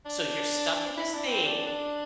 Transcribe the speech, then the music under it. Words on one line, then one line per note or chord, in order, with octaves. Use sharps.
So you're stuck in this thing
D4
E4
D4
C4
D4
D4